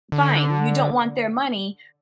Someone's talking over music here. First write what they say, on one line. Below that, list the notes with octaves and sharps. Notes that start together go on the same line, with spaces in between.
fine. You don't want their money.
D3